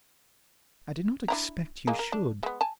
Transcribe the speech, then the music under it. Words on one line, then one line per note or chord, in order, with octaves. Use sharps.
"I do not expect you should."
D4 E4 A#5
G#3 A#3 D#4
A#4
D4
G#3 B3
G#5 A5